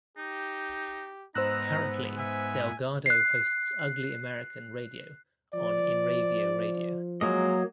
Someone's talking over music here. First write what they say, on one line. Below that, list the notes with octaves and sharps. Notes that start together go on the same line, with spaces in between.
Currently, Del Gado hosts "Ugly American" Radio on Inravio Radio.
D#4 G4
G#2 B3 D#4 C5 A#5 E6 F#6
E5 G#5
F#6 C7
F3 D5
F#3 G#3 A#3 D#5